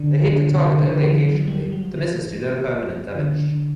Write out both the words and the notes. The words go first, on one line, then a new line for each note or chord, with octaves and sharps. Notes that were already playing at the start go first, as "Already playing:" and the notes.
They hit the target only occasionally but the misses do no permanent damage.
Already playing: D3
D3
C3
D3
D3
E3
E3
F#3
G3
F#3
E3
D3
D3
D3